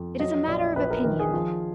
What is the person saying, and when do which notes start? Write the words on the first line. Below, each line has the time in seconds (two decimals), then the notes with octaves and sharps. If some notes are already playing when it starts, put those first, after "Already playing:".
It is a matter of opinion.
Already playing: F2
0.20 F#3 D#5
0.47 A#1 D5
0.76 A#1 B4
0.90 A#4
1.04 D#3 A#4
1.19 G#4
1.34 F3